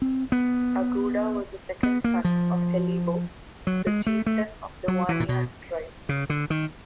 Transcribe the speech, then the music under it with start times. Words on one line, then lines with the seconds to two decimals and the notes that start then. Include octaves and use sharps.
Aguda was the second son of Helibo, the chieftain of the Wanyan tribe.
0.02 C4
0.32 B3
1.83 B3
2.04 A#3
2.24 F3
3.67 F#3
3.87 G#3
4.06 A3
4.26 A3
4.88 F#3
5.09 E3
5.20 A#2
5.29 B2
6.09 C#3
6.30 D3
6.50 D#3